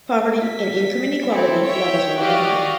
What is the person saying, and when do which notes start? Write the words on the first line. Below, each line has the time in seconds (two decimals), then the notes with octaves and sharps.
Poverty and income inequality levels remain high.
0.39 B6
1.30 C4 E4 A4
1.64 C#5 E5 G5
2.18 F#4 G4 D5 D#5 F5